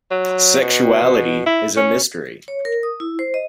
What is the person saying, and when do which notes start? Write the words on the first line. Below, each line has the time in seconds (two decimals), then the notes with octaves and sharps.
Sexuality is a mystery.
0.11 F#3
0.61 B2
1.46 E4
1.77 C#4
2.48 C#5
2.65 A#4
2.83 D#6
3.00 E4
3.19 C5
3.34 D#5